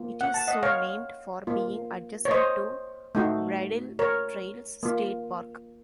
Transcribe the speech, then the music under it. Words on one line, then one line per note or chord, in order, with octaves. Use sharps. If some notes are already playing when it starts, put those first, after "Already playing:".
It is so named for being adjacent to Bridle Trails State Park.
Already playing: A#3 F4
F#5
A5
D#5 F#5
C#5 F5
A#3 F4
C#5
C5 D#5
A3 D#4 F#4
A#4 C#5
A#3 F4